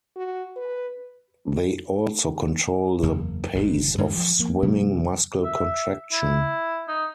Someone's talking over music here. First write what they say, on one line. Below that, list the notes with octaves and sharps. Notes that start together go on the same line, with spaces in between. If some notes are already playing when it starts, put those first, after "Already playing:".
They also control the pace of swimming-muscle contraction.
F#4
B4
F#1 E2 A#3
G1 E2 B2
G2 D3 G#3 D4
F3
F3 A#3
C3 F#3 A#3 B3
E5
E4
D#4